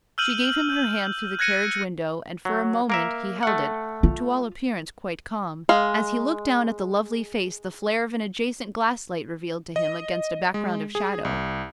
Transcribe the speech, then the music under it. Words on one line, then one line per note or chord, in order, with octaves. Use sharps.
She gave him her hand through the carriage-window, and, for a moment, he held it, to all appearance quite calm, as he looked down at the lovely face the flare of an adjacent gaslight revealed to him against a background of shadow.
E6 F6 G6 D#7 F#7
G6
F#6 G#6 A#6 C#7 D#7
F#3
A#3 A#4 E5
A3 F#5
F4
G#3 F5
D#5
G#3
G#4
C2